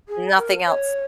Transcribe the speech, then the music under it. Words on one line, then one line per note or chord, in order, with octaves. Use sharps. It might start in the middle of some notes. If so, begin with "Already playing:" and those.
Nothing else.
G#4
A#4
C#5